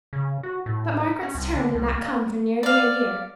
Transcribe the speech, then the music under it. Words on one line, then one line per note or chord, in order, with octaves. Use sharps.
But Margaret's turn did not come for nearly a year.
C#3
F#4
A2
C#4
C2
D3
C2
A#3
D5 F5